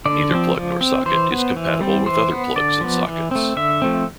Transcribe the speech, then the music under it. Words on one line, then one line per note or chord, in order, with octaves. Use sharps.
Neither plug nor socket is compatible with other plugs and sockets.
D3 D5
F3 C4
F3
C4
E3 C5
B3
E3
G3 C4
E3 C5
B3
D3 D5
F3 B3
E3
A3 C4
D3 E5
F3 A3 C4